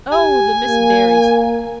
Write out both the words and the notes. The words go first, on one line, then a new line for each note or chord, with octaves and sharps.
Oh, the Miss Berrys!
G4 G#5
A#3